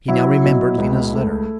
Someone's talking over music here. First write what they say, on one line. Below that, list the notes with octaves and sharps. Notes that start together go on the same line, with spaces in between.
He now remembered Lena's letter.
F#3 E4
B2
C#2
A3